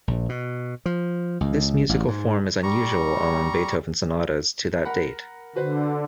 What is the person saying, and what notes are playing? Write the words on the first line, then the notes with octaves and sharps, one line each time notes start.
This musical form is unusual among Beethoven sonatas to that date.
A#1
B2
F3
C#2
A1
G#2
G3 A#5 C#6
A#4 F#5 B5
D3 F#4 B4 C5